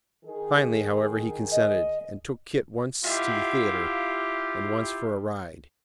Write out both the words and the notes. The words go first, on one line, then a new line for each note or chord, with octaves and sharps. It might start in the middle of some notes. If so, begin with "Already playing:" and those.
Finally, however, he consented, and took Kit once to the theatre and once for a ride.
D#3 G#4
D#5
E4 F4 G4 E5 F5